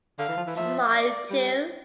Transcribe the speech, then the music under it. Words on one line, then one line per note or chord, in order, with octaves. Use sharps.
Smile to?
D3 F5
E3
F3
E3
F3 E5
D5
G3